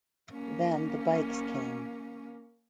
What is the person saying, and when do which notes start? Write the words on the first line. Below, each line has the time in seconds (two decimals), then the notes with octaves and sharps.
Then the bikes came.
0.32 A#3 C#4